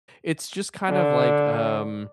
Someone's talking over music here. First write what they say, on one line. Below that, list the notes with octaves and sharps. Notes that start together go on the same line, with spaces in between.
It's just kind of like, um
D3